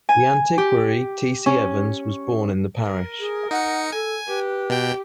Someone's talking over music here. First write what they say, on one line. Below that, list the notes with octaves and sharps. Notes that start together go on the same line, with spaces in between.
The antiquary T. C. Evans was born in the parish.
G#5
G4
C#4
A#4
G#4
D#4 F#5 C#7
A4 G#5
G4 B4
B2 G5